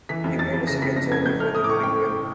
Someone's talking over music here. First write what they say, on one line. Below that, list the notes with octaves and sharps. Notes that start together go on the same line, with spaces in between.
He made a second journey for the rolling-pin.
E3 B6
F2
F2 A6
F2
C#3 A#6
F2 B6
F2 A#6
F2 G#6
A2 G6
A3 F6
A2 D#6
D6
A2 C#6
A2 G5
A2
A3